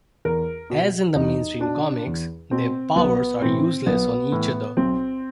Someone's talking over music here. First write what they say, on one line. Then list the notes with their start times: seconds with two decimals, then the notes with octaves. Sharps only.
As in the mainstream comics, their powers are useless on each other.
0.25 E2 A#4
0.70 B2
1.15 E2 D#4
1.60 B2 D4
2.07 E2
2.51 B2 C4
2.96 B1 B3
3.41 A2 E3 C4
3.87 B1 B3
4.32 A2 E3
4.77 B1 C4